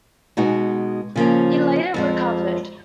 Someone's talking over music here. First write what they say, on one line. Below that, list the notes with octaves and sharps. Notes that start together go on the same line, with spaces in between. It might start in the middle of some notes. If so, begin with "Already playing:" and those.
He later recovered.
B2 G#3 B3 D#4 F#4
C#3 F3 A#3 C#4
F2 F3 G#3